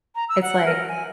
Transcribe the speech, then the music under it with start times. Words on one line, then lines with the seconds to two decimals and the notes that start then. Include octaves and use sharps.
It's like
0.15 A#5
0.29 E6
0.42 F#5
0.66 A#4
0.88 G#5